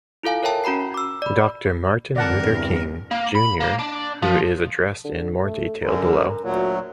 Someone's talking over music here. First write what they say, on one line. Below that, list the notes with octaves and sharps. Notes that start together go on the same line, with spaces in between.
Doctor Martin Luther King, Junior who is addressed in more detail below.
E4 F4 A4 F5 G#5
A#4 C#5 E5 G5 A5
C#4 F#4 A#5 B5 C7
D6 E6
D5 B5
E2 G2 D3 C4 A#4 D5 F#5 A5
A#3
B5
A#3
D4
F3
D3
A3
F#2 D3 A#4
D2 A#2 F#3